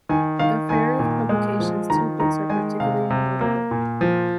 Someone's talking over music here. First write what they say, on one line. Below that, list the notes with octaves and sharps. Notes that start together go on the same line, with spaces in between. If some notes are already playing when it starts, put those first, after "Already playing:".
Of Ferrier's publications, two books are particularly notable.
D#3 G#5
D#3 F5
D#3 G#5
A#2
G#3
F3
D#3 A#5
D#3 A#5
G#3 G#5
C3 F5
C3
A#3
A#2
F3